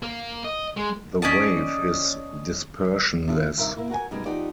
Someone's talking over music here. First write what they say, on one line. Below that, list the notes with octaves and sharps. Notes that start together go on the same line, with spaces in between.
The wave is dispersionless.
A#3
D#5
G#3
C#4 D5 D#5 A5
D4 E4 F4 G4 A4
G2 C3 D#4 A#4 E5
A#3 E4
F#4 A#4 F5 G#5
F#2 B2 G3 G#3 D#4
F3 D#4 F#4 G4 D5